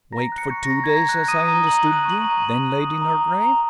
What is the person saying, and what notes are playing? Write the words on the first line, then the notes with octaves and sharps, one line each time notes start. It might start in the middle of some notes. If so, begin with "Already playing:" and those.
Waked for two days, as I understood you; then laid in her grave?
A#5 A#6
F#6
C#7
C#6
A#6
A#5
G#6
A#5 A#6
F#6
D#6 D#7
A#5
A#5 F#7
F#6
D#7
C#6
F#7
D#7
A#5
A#5 F#7
F#6
D#6
A#5
A#5
A#5